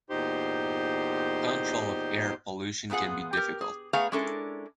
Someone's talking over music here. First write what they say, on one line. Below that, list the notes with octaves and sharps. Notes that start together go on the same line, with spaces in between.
Control of air pollution can be difficult.
E2 A#2 D#4 G4 C5 C6
A#2 B3 F4 G#4 F#5
G4 A#4
G#4
A3 B3 G#4 F5 A#5
G#3 C#4 D4 E4 A4 A#4